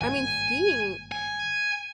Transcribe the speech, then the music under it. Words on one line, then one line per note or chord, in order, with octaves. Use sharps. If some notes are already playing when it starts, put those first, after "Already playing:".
I mean, skiing
G#1 G2 A#2 G#5
G#5